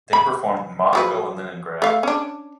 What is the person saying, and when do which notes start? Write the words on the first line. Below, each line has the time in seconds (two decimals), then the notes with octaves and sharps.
They performed in Moscow and Leningrad.
0.13 B5
0.93 F3 F#3 B4
1.82 A3 F5
2.03 C#4 D4